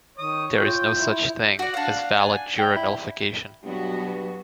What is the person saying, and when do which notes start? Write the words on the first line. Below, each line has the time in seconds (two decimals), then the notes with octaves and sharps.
There is no such thing as valid jury nullification.
0.18 D#3 C#5 D#6
0.58 F4 G5
0.98 E4
1.59 F#4 D5
1.74 D4 F5 F#5
2.21 G#5
2.58 G5
2.76 E4
3.64 G2 B2 F#3 B3 F#4